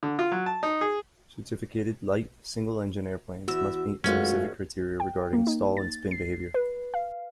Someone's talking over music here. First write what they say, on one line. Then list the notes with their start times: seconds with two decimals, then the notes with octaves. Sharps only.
Certificated, light, single-engine airplanes must meet specific criteria regarding stall and spin behavior.
0.03 D3
0.19 F4
0.32 F#3
0.46 A5
0.63 D#4
0.81 G#4
3.48 E2 F#4 E5 E6
4.04 G#1 F#2 B2 G#3 A3 C#4 F4 F#4
5.00 G5
5.33 A#3
5.47 D#4
5.77 A6
6.11 C7
6.54 B4
6.94 F5